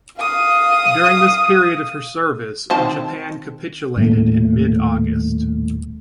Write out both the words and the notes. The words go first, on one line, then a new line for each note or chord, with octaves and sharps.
During this period of her service, Japan capitulated in mid-August.
F5 D#6
D#3 C4 A5
D#1 A2 A3 A#3